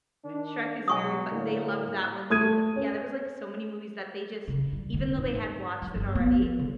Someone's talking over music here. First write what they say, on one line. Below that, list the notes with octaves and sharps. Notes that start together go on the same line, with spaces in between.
Shrek is very fun they loved that one too, but, yeah, there was, like, so many movies that they just even though they had watched it already,
D#3 D4
B2 F#3 G#3 G#5 C#6 D#6
A2 D3 A#3
A3 D#6 G#6 D#7
C#4
C#3
G3
D3
G#2
F3
G1
B3
F3
D3